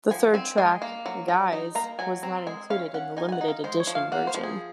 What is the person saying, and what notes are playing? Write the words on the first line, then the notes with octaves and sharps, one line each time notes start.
The third track, "Guys", was not included in the limited edition version.
F3 G#5
C4 G#5
G#3 G#5
A#3
F#3
F#3
D#4
A#3 A#5
F#3 G#5
C4 A#5
G#3 G#5
C#4 F5
C#4 F#5
D#4 G#5
G#5
F#5
D#4
F5
G#3 C5
C#5
F3
F5
A#3 F#5
C5
F3
G#4